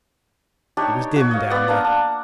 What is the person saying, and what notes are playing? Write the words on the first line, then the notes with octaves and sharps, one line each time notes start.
It was dim down there.
D4 D#4 G4 C#5
F#4 C#5
D#5 F5
B3 D5 F#5
A#3 D4 D5 A#5
D4